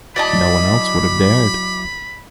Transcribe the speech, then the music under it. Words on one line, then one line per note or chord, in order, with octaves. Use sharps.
No one else would have dared.
F#3 E4 D5 D#5 A5 B5 D6